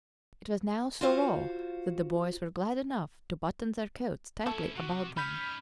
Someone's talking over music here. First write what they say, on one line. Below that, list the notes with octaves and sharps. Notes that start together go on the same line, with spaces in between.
It was now so raw that the boys were glad enough to button their coats tightly about them.
F4 F#4 C5 F5
A3 C#4 E4 A4
C3 F#4
C#4 D#4 B5 F6 G6 B6